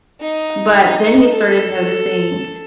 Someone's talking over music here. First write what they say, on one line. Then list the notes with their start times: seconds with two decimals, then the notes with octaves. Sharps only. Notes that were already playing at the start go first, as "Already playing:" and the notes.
But then he started noticing
0.21 D#4
1.32 A4